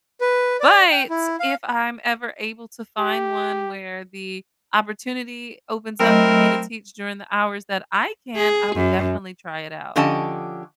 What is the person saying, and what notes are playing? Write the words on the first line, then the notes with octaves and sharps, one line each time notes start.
but, if I'm ever able to find one where the opportunity opens up for me to teach during the hours that I can, I would definitely try it out?
B4
D5
G5
E4
F5
G4
F#3 A3 C4 E4 A#4 D#5
G#4
F#2
D3 F3 C#4 G4 D#5 A5